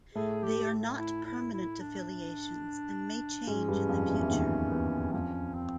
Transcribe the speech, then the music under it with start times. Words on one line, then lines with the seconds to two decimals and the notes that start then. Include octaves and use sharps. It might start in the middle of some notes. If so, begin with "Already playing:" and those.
They are not permanent affiliations and may change in the future.
0.15 A2 A3 G#4
0.43 G4
0.98 E4
1.26 E4
1.54 E4
1.81 D4
3.47 G#2 G#3 C#4
3.68 G2 G3
3.89 F2 F3
4.09 E2 E3
4.22 E3
4.30 D#2 D#3
4.72 E2 E3
5.13 F2 F3 C#4
5.55 C4